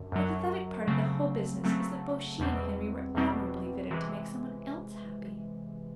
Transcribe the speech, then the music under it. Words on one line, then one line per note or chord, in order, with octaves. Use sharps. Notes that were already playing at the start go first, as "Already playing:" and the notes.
The pathetic part of the whole business is that both she and Henry were admirably fitted to make some one else happy.
Already playing: F#2 D3
F#2 D3 F#3
C#3 F#3 A3 C4
C#3 F#3 A3 C4
E2 B2 G3 C4
E2 B2 G3 C4
C3 E3 G#3